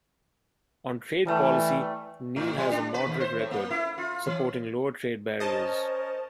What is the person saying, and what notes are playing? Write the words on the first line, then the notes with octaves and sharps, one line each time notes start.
On trade policy, Neal has a moderate record, supporting lower trade barriers.
E3 G3 A3
A2
G3
D4
B4
D#2
C5
A2
A#3
E4
F4
E3
C#4 A#4 C5 D#5 A5